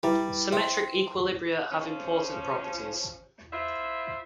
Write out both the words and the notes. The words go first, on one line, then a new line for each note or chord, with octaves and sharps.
Symmetric equilibria have important properties.
G3 E4 B4 E5
C4 E5
F3 C#4
E4 F4 C5 E5